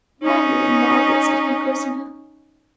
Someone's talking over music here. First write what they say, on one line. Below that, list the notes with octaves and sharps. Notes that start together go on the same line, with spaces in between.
'My little Margaret!' said he, caressing her.
C#4 D#4